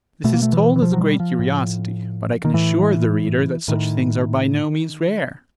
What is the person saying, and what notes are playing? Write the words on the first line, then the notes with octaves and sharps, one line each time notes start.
This is told as a great curiosity; but I can assure the reader that such things are by no means rare.
B2 A3
A#3
A3
E3
E3
F3
F#3
G3
F3
A2
D#3
A2 E3
A2 D#3